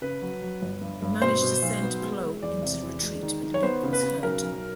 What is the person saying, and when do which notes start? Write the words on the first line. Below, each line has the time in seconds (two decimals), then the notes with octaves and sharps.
They managed to send Plo into retreat, but Luke was hurt.
0.02 C#3 B4
0.22 F#3
0.42 F#3
0.62 G1
0.82 G2
1.02 G2
1.22 B2 C5
1.42 B2
1.62 B1
1.82 B3
2.02 G#3
2.22 G#3
2.42 E2 D5
2.62 C3
2.83 E2
3.03 G#3
3.23 D#3
3.43 D#3
3.54 C#5
3.63 B3 C5
3.83 C#3
3.93 B4
4.03 C#3
4.23 B1 A#4
4.43 B1